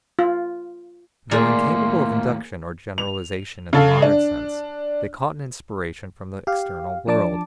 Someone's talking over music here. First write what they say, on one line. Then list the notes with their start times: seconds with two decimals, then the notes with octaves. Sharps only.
Though incapable of induction or generalization in the modern sense, they caught an inspiration from the external world.
0.19 F4
1.31 D#2 A2 A#3 G#4 A#4 D5 C6
2.98 F7
3.73 C#3 A4 F5
4.02 D4
6.47 G4 F5
7.07 F3 D4 D5 A5 D6